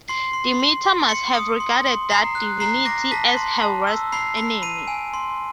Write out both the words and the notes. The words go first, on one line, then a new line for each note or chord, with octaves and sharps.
Demeter must have regarded that divinity as her worst enemy.
C6 C7
C6
C6
C6
C6 C#7
D#6
C6
C6
A#5 C7
F#6
A#5 C7
D6 A#6
A5 B6
C6
A5
E6
B5 C7
B5
B5 D#7
G#5
C6